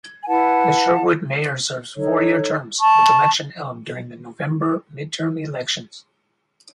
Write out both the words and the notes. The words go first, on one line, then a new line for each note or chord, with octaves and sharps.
The Sherwood Mayor serves four-year terms, with election held during the November midterm elections.
G#5
E4 B4 F#5 A5
D#4 A4 C#5
A5 C#6